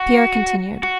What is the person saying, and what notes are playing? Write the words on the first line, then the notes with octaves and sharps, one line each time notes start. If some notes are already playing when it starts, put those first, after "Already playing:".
Pierre continued.
Already playing: F#4
F#4